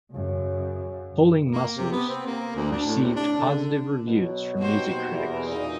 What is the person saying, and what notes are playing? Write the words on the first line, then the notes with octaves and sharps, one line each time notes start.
"Pulling Mussels" received positive reviews from music critics.
F#2 C#3
A#3
C3
B3
C4
A#3
D2
D4
A2
C3
D4
D3
D3
B2 F#3
A#3 C4 D#4 F#4 G4 C5
E2 A#4
G2 A#2 C4 D#4 F#4 G#4